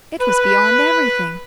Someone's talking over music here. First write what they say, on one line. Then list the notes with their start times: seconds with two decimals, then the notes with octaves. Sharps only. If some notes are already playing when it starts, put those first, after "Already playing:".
It was beyond everything.
0.20 B4